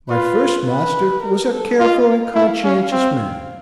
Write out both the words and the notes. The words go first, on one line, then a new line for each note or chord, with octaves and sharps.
My first master was a careful and conscientious man.
F4 B4
B4
A#4
A4
F4 D#5
F5
E4
C#4
C4